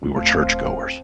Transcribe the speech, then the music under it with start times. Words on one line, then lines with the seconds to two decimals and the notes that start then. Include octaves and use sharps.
we were churchgoers
0.16 D#1 F3 A3 C4